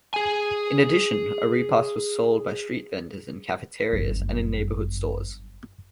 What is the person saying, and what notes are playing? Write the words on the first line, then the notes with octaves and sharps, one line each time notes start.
In addition, arepas are sold by street vendors, in cafeterias, and in neighborhood stores.
G#4 G#5
G1 F#2